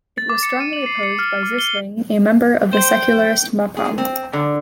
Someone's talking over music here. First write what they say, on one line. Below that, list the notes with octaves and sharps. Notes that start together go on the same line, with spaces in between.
It was strongly opposed by Zisling, a member of the secularist Mapam.
A6
D6
C#7
D#7
F#7
C7
C#7
F6
D6
G7
C5 G5
G#4
C4
D3